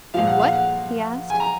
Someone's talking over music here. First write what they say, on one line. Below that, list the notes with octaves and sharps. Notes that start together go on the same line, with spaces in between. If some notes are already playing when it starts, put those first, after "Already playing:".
"And what?" he asked.
A#2 F3 F5
F#5
F5
F#5
G#5
A#5